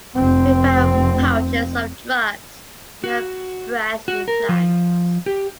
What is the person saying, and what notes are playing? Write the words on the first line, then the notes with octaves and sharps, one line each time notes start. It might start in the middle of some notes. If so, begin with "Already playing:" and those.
We found pouches of drugs in her breast implants.
F1 C4
F#4
F#4
A#4
F3
G4